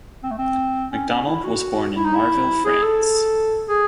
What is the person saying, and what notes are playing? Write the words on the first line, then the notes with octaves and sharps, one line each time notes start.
McDonald was born in Marville, France.
C4
A3
C4
C#4
C#4
E4
F#4
E4
D#4
E4
G#4
A4
G#4